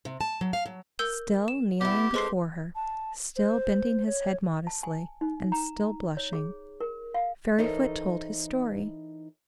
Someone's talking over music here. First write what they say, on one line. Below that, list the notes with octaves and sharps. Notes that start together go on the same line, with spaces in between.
Still kneeling before her, still bending his head modestly, and still blushing, Fairyfoot told his story.
C3
A5
F#3
F5
F#3
A#4 E6 G6
E7
B3 E4 G4
G#3 C4 A4 B4 C6 C7
A5
C5
C#5
A5
G#5
D#4
A#5
C#5
G#4
A#4
F5
E3 D#4 A4 A#4 C5 C#5